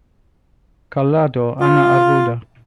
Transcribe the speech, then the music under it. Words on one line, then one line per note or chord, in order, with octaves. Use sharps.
Callado, Ana Arruda.
F4